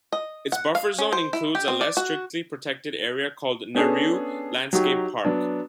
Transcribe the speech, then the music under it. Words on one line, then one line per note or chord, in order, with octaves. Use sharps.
Its buffer zone includes a less strictly protected area called Narew Landscape Park.
D#5
F#5
F5
C#4
C5
E4
G4
C4
D5
F#4
B3 C#4 D4 G#4 A4
F#3 D#4 F#4 G4
F#3 B3 D4